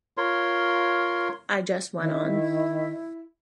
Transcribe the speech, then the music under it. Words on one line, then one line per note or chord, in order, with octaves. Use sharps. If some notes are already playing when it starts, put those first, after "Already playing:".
I just went on.
F4 A#4 C#5 C6
D#3 E4